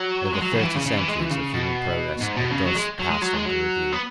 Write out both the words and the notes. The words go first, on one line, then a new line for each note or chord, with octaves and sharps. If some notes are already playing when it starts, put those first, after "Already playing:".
Over thirty centuries of human progress are thus passed under review.
Already playing: F#3
G#3
F#3
C#3
F#3
E3
C#3
C#3
E3
G#3
E3
C#3
B2
G#2
B2
C#3
F#3
G#3
F#3
G#3
F#3
G#3
F#3
B3